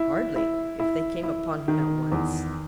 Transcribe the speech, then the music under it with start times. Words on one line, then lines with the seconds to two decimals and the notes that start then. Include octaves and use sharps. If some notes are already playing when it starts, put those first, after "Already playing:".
Hardly, if they came upon him at once.
Already playing: E4
0.36 E4
0.80 E4
1.23 E4
1.68 D#3
2.12 E2